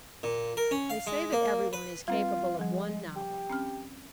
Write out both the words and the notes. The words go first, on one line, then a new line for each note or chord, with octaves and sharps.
They say that everyone is capable of one novel.
A#2
A#4
C#4
F5
G#3
A#3
B4
G3 C4 F4 B4
F3 G3 G#3
G4
C4 C#4 F6